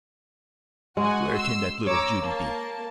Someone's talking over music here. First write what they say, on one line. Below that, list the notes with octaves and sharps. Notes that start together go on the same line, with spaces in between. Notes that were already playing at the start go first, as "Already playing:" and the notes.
Where can that little Judy be?
G#3 F#4 F#5 G#5
C6 E6
C#5 A#5 D6 E6
A#3 A5